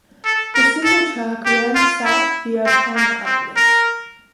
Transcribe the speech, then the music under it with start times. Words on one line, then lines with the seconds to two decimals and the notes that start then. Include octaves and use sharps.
The single track ran south via Palm Avenue.
0.25 A4
0.55 A#4
0.85 A4
1.46 G4
1.75 F4
2.05 E4
2.66 C4
2.96 A#3
3.26 C4
3.57 A#4